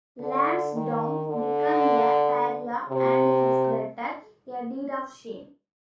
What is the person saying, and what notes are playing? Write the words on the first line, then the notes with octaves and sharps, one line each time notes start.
Lansdowne became a pariah and his letter "a deed of shame".
D3
D#3
D3
C3